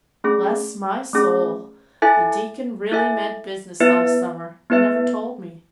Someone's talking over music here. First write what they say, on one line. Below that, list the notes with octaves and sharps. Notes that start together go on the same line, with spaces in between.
'Bless my soul! the Deacon really meant business last summer and never told me.
A3 C#4 G#4
A3 C#4 G#4
E4 A4 E5 G#5
E4 A4 E5 G#5
B3 E4 B4 E5
B3 E4 B4 E5